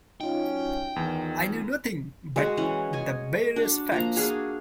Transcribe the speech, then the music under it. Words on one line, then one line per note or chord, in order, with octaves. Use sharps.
I knew nothing but the barest facts.
F#3 C#4 D#4 F4 G5
E2 D#3
G#3 F#4
E3 C#4 F#5
D#5 G#5 C#6
D4 F#4
F3 A#3 A#5
D4 F#4 G#4 F5